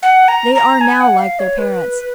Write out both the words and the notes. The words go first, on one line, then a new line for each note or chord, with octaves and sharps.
They are now like their parents.
F#5
A#5
A#5
G#5
F#5
F5
C#5
B4